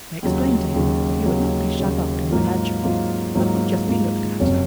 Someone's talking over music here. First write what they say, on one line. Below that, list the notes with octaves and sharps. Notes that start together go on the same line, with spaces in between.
They explained to him that he would not be shut up in a menagerie but would just be looked at.
D#2 C#3 F#3
D#2 C#3 F#3
D#2 C#3 F#3
D#2 C#3 F#3
G#2 F#3 A#3 F4
G#2 F#3 A#3 F4
G#2 F#3 A#3 F4
G#2 F#3 A#3 F4
F#1 F2 C3 F#3 C#4